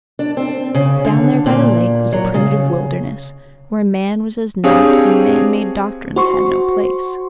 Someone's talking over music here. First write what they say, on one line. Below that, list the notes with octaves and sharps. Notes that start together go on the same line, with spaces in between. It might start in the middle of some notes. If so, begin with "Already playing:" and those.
Down there by the lake was a primitive wilderness where man was as naught and man-made doctrines had no place.
D4
C4
C#3
D3
A#2
F#3
C#3
C4 D4 G4 G#4 C#5 F5
F#4 C5 C6 C#6